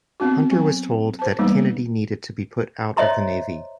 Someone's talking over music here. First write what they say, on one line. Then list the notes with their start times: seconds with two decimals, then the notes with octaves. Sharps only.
Hunter was told that Kennedy needed to be put out of the Navy.
0.20 B3 C4 D4 F#4
0.51 F#3 G#5
1.19 C5 A5
1.39 E3 G3 G#3 A#3 B3 D#4
2.97 C5 C#5 D#5 E5 A#5 C6